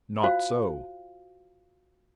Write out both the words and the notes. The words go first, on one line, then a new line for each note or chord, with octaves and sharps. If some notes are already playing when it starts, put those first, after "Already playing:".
Not so.
F4 F#4 C5 F5 G5